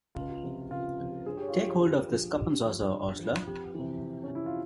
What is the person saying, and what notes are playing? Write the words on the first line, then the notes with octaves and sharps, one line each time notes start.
Take hold of this cup and saucer, ostler.
C#2 F4
C3 F3
C#2 F4
C3 F3
G2 G#4
G4
F4
F3
G4
G2 G4
F3
G2 G4
F3
G2
F3
F2 G4
C3 E3
F2
C#4
C3 E3 E4
F4